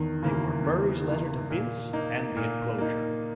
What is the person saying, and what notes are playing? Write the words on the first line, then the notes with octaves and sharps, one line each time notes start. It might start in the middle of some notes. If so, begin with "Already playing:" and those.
They were Murray's letter to Bince and the enclosure.
Already playing: E2 D#3
C#3 E3 A#3
E2
C#3 E3 A#3
A#2
A#3 D#4
A#2
A#3 D#4